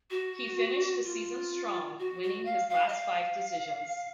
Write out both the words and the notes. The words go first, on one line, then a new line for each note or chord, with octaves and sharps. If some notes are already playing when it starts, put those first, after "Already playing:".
He finished the season strong, winning his last five decisions.
F#4
F4
F#4
F#4
F5
F5
D#5
F5